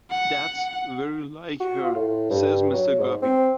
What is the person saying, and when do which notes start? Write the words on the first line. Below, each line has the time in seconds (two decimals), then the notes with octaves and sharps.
"That's very like her," says Mr. Guppy.
0.11 F#5
1.60 F#4
1.83 F4
1.95 A2
2.30 G2
2.73 F#3
2.99 G#2
3.22 C4